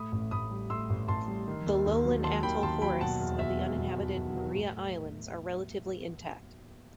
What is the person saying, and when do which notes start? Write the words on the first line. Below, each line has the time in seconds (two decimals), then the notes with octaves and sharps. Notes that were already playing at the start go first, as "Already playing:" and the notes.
The lowland atoll forests of the uninhabited Maria Islands are relatively intact.
Already playing: A2 B5 D#6
0.12 A1
0.31 A1 B5 D#6
0.51 G3
0.70 A2 C6 E6
0.90 A1
1.08 A1 A5 C6
1.28 G3
1.47 D#3
1.67 D#2
1.86 D#2
2.05 F#3
2.24 D#3 A5 C6
2.43 D#2 G5 B5
2.63 D#2 A5 C6
2.82 F#3 G5 B5
3.01 B2 F#5 A5
3.20 E2
3.39 E2 E5
3.59 F#3
3.78 B2
3.97 E2
4.16 E2
4.36 F#3
4.55 A2